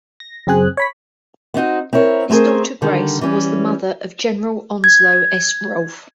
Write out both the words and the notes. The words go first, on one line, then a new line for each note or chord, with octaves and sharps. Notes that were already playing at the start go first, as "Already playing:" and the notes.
His daughter Grace was the mother of General Onslow S. Rolfe.
A#6
F#2 C#3 C4 G#4 G#5 F#6
C#5 B5 B6
B3 C4 D#4 F#4
C4 E4 A#4 C#5
A3 C4 G#4 A#4 C5
D3 D#3 G3
E3 G3 C#4
G#6